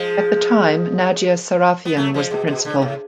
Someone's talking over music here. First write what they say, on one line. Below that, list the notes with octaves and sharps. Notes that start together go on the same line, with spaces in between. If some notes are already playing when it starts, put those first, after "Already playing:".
At the time Nadya Sarafian was the principal.
Already playing: F3 G#3
B3
F#3 A3
F3 G#3
B2
B2
D3
G#2
A2